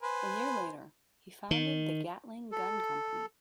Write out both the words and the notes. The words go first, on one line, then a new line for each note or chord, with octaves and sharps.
A year later, he founded the Gatling Gun Company.
B4 C5 G#5
D#3
A4